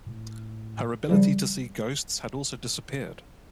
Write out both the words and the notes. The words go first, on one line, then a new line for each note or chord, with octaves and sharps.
Her ability to see ghosts had also disappeared.
A2
C#3 F3 G3